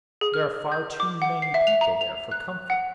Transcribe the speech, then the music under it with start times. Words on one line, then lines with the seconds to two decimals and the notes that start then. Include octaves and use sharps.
There are far too many people there for comfort.
0.21 G#4
0.34 F6
0.72 G6
1.00 D6
1.22 F#5
1.42 C7
1.54 E5
1.67 F7
1.81 A#5
2.01 F7
2.32 F#6
2.70 F#5